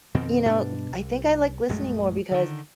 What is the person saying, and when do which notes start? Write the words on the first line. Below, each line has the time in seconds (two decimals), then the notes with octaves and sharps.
you know, I think I like listening more because
0.14 F2 B2 D#3 C4
0.46 G2 B2 B3 D4
0.91 C2
1.69 A#1 F#2 G#3 A3
2.31 D3 D#3